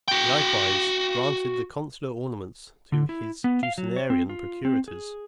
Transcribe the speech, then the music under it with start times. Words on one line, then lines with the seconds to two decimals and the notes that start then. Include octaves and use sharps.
He likewise granted the consular ornaments to his Ducenarian procurators.
0.08 F#4 G5
2.92 D3
3.09 E4
3.44 B3
3.63 F5
3.78 F#3
3.96 C#5
4.10 C4
4.29 F4
4.65 C4
4.88 G#4